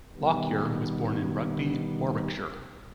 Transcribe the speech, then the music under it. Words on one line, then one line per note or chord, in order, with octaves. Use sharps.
Lockyer was born in Rugby, Warwickshire.
B2 D#3 G3 B3